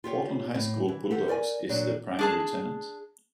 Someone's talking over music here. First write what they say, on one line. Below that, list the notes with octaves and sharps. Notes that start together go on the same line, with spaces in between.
Portland High School Bulldogs is the primary tenant.
F4 G4 C#5 G5
A2
E3
G4 A4 C5 F#5
A#4 D5 D#5 G#5
A#2 F#3 D4 F#4
D4 G#4 A5